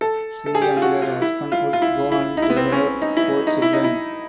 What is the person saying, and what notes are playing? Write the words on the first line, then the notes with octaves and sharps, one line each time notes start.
She and her husband would go on to have four children.
A4
A4
G#4
G4
F4
F#4
F4
E4
F4
F4
E4
E4
D#4
E4
B3
C4
C#4
D#4
E4
D#4
E4
D#4
E4